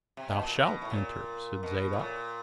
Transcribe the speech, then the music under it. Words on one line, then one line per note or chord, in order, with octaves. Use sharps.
"Thou shalt enter," said Zadok.
C3
B2
A#2
B2
A2
A#2
B2
A2
A#2